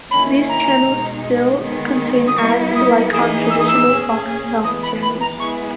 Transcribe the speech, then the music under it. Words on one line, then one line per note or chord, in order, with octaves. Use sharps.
These channels still contain ads like on traditional Foxtel channels.
D#3 A#3 C#4 E4 B5
A#5
B2 G#3 D#4
D#3 G#3 B3
D#6
G3 B3 E4 C#6
D#6
E3 A#3 D#4 G#4 D#6
E6
D#6
E6
A#2 A#3 C#4 G#4
E3 G#3 B3 D#6
B5
B5
A#5
G#3 B3 E4 G#4 C#6